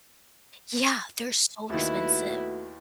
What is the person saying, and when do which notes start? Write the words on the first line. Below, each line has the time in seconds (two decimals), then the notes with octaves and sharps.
Yeah, they're so expensive.
1.70 D#2 D#3 A3 B3 E4 F#4 B4